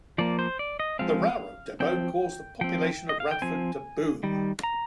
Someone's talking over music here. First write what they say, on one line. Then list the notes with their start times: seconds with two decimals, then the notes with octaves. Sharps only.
The Railroad Depot caused the population of Radford to boom.
0.18 F3 A#3 D5
0.39 C5
0.59 D5
0.80 D#5
0.99 F3 G#3 C4 F5
1.80 F3 C4 G5
2.61 F3 C4 G5
3.09 D#5
3.20 F5
3.31 G5
3.42 F3 C4 G#5
4.23 D#3 G3
4.63 A#5